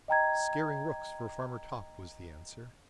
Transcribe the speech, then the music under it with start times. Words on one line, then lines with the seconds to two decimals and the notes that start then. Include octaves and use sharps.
'Scaring rooks for Farmer Topp,' was the answer.
0.08 D#5 G5 A#5 G#6